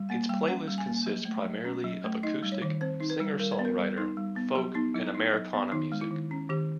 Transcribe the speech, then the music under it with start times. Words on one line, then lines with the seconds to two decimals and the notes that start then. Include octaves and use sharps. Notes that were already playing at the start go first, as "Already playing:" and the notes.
Its playlist consists primarily of acoustic, singer-songwriter, folk and Americana music.
Already playing: G3
0.09 A#3 F#5
0.29 G3 G5
0.48 C#4 F#5
0.68 G3
0.78 G#5
0.87 A#3
1.06 F#3
1.25 A3
1.45 F#3
1.65 C#4
1.84 F#3
2.04 A3
2.23 D#4 D#5
2.43 G3
2.52 C#5
2.62 D#3
2.81 C4 C5
3.00 D#4
3.10 B4
3.20 G3
3.39 G3 A#4
3.52 B4
3.59 B3
3.65 A#4
3.78 G3
3.98 D#4
4.17 G3
4.36 B3
4.55 F#3 G4
4.75 B3 D#4
4.94 F#3 E4
5.15 D#4
5.33 F#3
5.53 B3
5.72 D#3 D#4
5.92 G#3
6.01 E4
6.11 D#3
6.31 C#4
6.50 D#3 G4